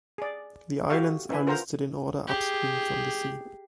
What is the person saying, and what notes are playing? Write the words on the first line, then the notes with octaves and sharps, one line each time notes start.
The islands are listed in order upstream from the sea.
G#4 D5
F#4 G4 A4 E5 F5 C#6
C#4 D#4 E4 B4 E5 G#5
F4 A#4 C5 F#5 A#5
G4 G#4